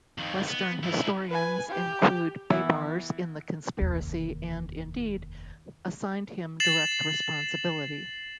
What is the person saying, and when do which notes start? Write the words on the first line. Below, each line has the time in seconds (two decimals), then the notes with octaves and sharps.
Western historians include Baibars in the conspiracy and, indeed, assign him direct responsibility.
0.18 F2 D#3
0.47 B3
0.83 G#2 E4
1.29 B4 G#5
1.69 G4
2.50 E3 B3 E4
3.80 F1 D#2
6.60 A6 C7 E7 F#7